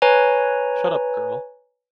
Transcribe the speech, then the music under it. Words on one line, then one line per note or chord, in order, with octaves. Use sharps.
Shut up, girl!
B4 C#5 G#5 A#5